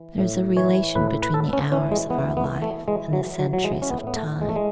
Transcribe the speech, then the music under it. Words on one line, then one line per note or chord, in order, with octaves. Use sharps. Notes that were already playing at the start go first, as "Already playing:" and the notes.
There is a relation between the hours of our life and the centuries of time.
Already playing: E3
A2
E3 C#5
A2 B4
B4
A2 A4
C#4
E3 C#4
G#3
E3 B3
B3
E3
A3
E3 G#3
F#3
E3
F#3
F#3
E3 G#3
C#4
B3
A2 B3
A3
E3 G#3
A3
G#3